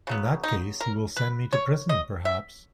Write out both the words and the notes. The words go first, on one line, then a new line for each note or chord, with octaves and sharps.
In that case you will send me to the prison, perhaps?
C#3 F#3 B3
D#4
A#4
B4
C#5
D#5
E5